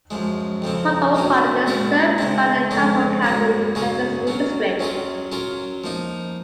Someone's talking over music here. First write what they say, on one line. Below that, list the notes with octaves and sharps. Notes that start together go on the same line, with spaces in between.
Port O'Connor is served by the Calhoun County Independent School District.
F#2 F3 G#3
F2 C#3 F3 C4
C3 F#3 A#3 C#4 F#4
A#2 G#3 C#4 F#4 A#4
C#3 G#3 C4
F2 C#3 G#3 C#4
G#2 F#3 A#3
F#2 C#3 F#3 C#4 G#4
F#3 A#3 C#4
F#3 C#4 F4 G#4
F#3 C#4 F4 A#4
F3 A#3 D#4